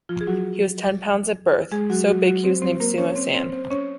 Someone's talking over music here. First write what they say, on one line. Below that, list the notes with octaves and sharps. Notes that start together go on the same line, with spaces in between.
He was ten pounds at birth, so big he was nicknamed "Sumo Sam".
F3 F4
G#4
F#3 F#4
G#3 G#4
F#3 F#4
F#3 F#4
F#3 F#4
C4 C5
C4 C5
A#3 A#4
C#4 C#5
C#5
C4 C5
C4 C5
C4 C5
C#4 C#5